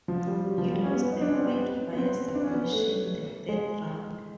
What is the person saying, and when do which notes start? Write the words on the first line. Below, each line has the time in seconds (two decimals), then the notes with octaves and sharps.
He lost the fight via submission the third round.
0.08 F3
0.27 G3
0.46 F#3
0.58 F3
0.71 G3
0.84 C#4
0.93 B3
1.12 D#4
1.21 D4
1.30 C#4
1.34 C4
1.47 B3
1.93 B3
1.97 C4
2.35 D4
2.44 C#4
2.54 B3
2.72 A3
3.49 G#3